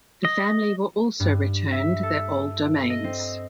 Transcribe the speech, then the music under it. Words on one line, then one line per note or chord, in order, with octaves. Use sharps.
The family were also returned their old domains.
D#5
G2
E5
A4
D#5
C4